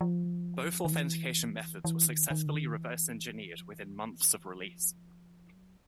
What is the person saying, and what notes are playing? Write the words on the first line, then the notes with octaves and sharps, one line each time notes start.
Both authentication methods were successfully reverse engineered within months of release.
F3
D#3
E3
E3
D#3
D#3
D3
D#3
E3
F3
E3
F3
F#3